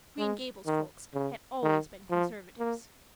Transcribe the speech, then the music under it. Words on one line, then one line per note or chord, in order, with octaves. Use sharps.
Green Gables folk had always been Conservatives.
G#3
D#3
C#3
D#3
F3
A#3